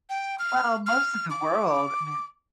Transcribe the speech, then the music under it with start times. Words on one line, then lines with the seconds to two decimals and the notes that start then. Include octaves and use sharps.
Well, most of the world, I mean
0.10 G5
0.39 F6
0.86 F6
1.30 D6